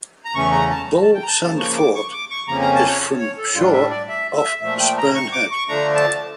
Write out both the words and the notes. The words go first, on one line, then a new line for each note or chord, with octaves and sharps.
Bull Sand Fort is from shore off Spurn Head.
A#5
E2 C#3 E3 A3 C#4 C#6
A#5
A5
A5
G5
A#5
A5
C#3 F3 A#3 A5
C#6
D6
C#6
D6
C#6
F2 C#3 F3 A#3 C#4 A#5
A#5
A5
C#5
C#5
A4
A2 G3 D4 F4
E5
D5
E5
E5
A#2 F3 A3 E5
G5
A#5
C#6
D6
C#6
D3 F3 A3 D4 A#5
A5